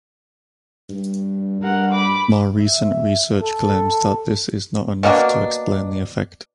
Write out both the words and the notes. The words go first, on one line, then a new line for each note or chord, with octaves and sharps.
More recent research claims that this is not enough to explain the effect.
G2
G2 A#4 F#5
B5 D6
E5
A4
B2 A#3 D4 F#4